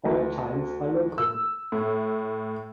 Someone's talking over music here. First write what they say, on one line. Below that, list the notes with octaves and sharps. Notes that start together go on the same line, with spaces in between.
All times are local.
D2
E6
A2